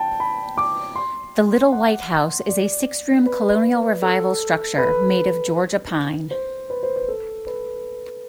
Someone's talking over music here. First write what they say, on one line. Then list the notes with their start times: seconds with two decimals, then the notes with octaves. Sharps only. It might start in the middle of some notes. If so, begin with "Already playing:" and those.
The Little White House is a six-room Colonial Revival structure made of Georgia pine.
Already playing: G5 A5
0.20 B5
0.58 D6
0.96 C6
1.72 F#5
2.49 D5
3.26 B4
4.02 A4
4.78 B4
6.31 C5
6.70 B4
6.83 C5
6.96 B4
7.08 A4
7.47 B4